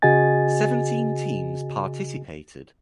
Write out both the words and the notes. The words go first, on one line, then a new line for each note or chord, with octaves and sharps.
Seventeen teams participated.
C#3 F#4 G#4 D#5 G#5 A6